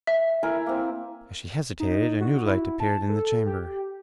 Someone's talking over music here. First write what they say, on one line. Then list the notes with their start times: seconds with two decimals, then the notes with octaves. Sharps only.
As she hesitated a new light appeared in the chamber.
0.07 E5
0.43 E4 A#4 G#5
0.66 A#3 C4
1.80 D#4
2.21 F#4
2.45 E4
2.80 A5
3.09 A4
3.46 G4